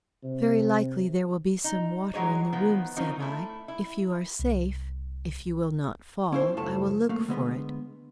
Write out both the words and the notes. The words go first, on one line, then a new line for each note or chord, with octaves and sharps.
"Very likely there will be some water in the room," said I. "If you are safe, if you will not fall, I will look for it."
C3
D#4
E3 F#3 G#3 D#4 C#5
D#3 F3 B3
D#3 F3 C4 C#4 D#4
A3 E4
E4
C2
C#4 E4 C5
C#2 F#2 A2 A3 A5
A3 A#3
D3 G#3 B3